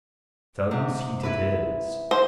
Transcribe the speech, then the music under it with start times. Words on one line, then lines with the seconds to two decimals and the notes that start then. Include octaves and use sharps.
Sun's heat it is.
0.71 G#2 C3
1.23 E4 B4
2.11 C5